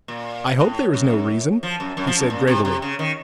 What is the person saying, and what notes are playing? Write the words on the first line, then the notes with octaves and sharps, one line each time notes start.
"I hope there is no reason," he said gravely.
A#2
A2
F#2
F3
F#2
F#2
F3
F#2
A#2
C3
C3
C#3
D#3